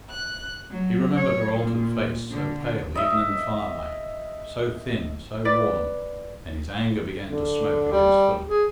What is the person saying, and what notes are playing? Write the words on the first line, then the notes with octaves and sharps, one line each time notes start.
He remembered her altered face, so pale even in the firelight, so thin, so worn, and his anger began to smoke against Philip.
F#6
F#3
C#5
A#2
D3
D#5 E5
B4 D5
D3
G3
G#4